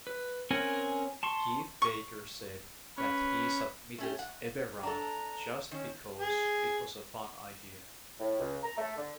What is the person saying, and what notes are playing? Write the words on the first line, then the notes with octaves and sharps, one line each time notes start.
Keith Baker said that he submitted Eberron just because it was a fun idea.
B4
C4 C#4 A#4 F#5 G#5
A5 C6 C#6
C#6
C#4 B4
A3 C#4 G4
F#5
D4 A4 A#5
D#3 C#4
G#4
A2
C#2
A#5
A3
D3